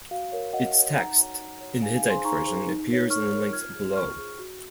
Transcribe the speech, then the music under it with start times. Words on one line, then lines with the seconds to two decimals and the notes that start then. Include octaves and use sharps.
Its text, in the Hittite version, appears in the links below.
0.11 F#4 F5
0.32 A#4 C#5
0.53 F#4 D#5 F#5
0.75 A#4 C#5
0.96 D#4 F#5 A#5
1.17 F#4 C#5
1.39 D#4
1.61 F#4 C#5
1.82 D#4 F5 G#5
1.96 F5 G#5
2.03 G#4 C5
2.10 G#5 C6
2.25 D#4 A#5 C#6
2.47 G#4 C5
2.68 D#4
2.89 A#4 C#5
3.10 D#4 C#6 F6
3.32 A#4 C#5
3.53 F4 F6 G#6
3.75 G#4 C5
3.96 F4 C#6 F6
4.18 G#4 C5
4.39 F#4